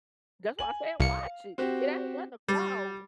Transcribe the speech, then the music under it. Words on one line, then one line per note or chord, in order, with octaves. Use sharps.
That's why I said watch it, it ain't nothing to cry over.
G#5 F#7
C2 F5 C#7
C4 F#4 G4
G3